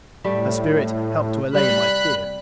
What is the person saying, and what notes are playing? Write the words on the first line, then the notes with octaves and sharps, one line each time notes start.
Her spirit helped to allay my fear.
A2 G3 A3
C3 G3 B5 F#6